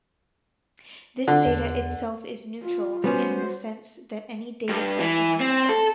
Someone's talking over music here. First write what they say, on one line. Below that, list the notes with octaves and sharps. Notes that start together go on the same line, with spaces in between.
This data itself is "neutral" in the sense that any dataset is neutral.
D3
E2
F4
G3 B3 C#4 F#4 C5
G2
E3
C4
A4